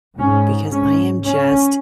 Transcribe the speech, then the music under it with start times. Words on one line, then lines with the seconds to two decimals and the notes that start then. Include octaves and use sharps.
because I am just
0.18 G#2 C#4
0.72 C#4
1.26 C#4